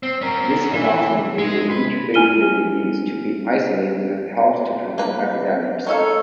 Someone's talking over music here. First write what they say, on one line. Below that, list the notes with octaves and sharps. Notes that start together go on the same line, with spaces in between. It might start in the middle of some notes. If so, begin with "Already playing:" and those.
This allows individuals incubating the disease to be isolated and helps to control epidemics.
C4
C#4 A#4
E3
G#3
B4
E4 G#5 F6 D#7 G7
A#3 B4
G#3 D#4 A4 C#5 F5